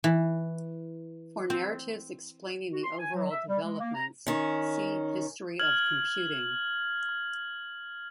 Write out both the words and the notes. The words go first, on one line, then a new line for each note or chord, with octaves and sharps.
For narratives explaining the overall developments, see History of computing.
E3
C4
F#4
C6
G#5
F#3
E5
G3
G#3
A#3
A#5
D#3 C#4
F6 G#6 F#7